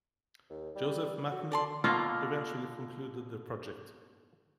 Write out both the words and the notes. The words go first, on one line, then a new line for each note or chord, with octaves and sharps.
Joseph Matheny eventually concluded the project.
D#2
G3
F#4
D3 D5 A5 C6
B2 D3 A#3 F4